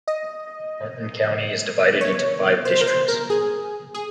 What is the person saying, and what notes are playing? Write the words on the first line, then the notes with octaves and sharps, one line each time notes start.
Martin County is divided into five districts.
D#5
C#5
C5
A#4
C5
A#4
G#4
G#4